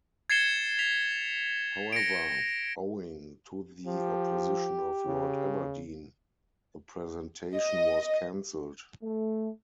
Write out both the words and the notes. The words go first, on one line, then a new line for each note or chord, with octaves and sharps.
However, owing to the opposition of Lord Aberdeen, the presentation was cancelled.
G#6 A6 C7 C#7 E7 G7
B6 F7
A#6 C#7 D7
F3 G4
C#3
D#5
A3